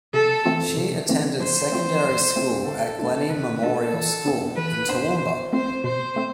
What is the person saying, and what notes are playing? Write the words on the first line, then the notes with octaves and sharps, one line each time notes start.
She attended secondary school at Glennie Memorial School in Toowoomba.
C3 A4
E3 A3 C4 F4
C3
E3 A3 C4 F4
F3 C5
A3 C4 F4
F3
A3 C4 F4
D3 A4
A3 D4 F4
D3 B4
A3 D4 F4 A4
E3
B3 D4
E3 B4
B3 D4 C5
B2
A3 C4 F4 C5
B2 C5
A3 C4